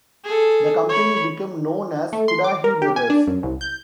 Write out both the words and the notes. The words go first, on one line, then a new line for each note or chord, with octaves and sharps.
The company became known as Cudahy Brothers.
G#4 A4
C#5 B5
A3
C6
D6
A#4
G4
G#5
D4
F#2
C2
G6